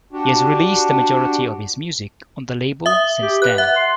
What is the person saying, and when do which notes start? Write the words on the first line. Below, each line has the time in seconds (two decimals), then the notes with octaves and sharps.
He has released the majority of his music on the label since then.
0.12 D4 F#4 G4
2.86 E5 D#6
3.22 G4
3.42 B4 F#6
3.58 E5 F#5
3.76 C6